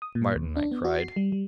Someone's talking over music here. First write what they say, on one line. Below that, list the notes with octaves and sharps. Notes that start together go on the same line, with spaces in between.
"Martin," I cried.
D#6
A#2
D#2
D4
B3
F#4
C7
G3
G3